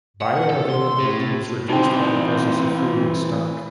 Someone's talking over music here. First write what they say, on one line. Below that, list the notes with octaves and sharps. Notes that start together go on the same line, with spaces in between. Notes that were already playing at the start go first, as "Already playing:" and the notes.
Bioavailability is reduced by presence of food in stomach.
F#5
A4
C6
A2
E3 C4 D#4 C5 G5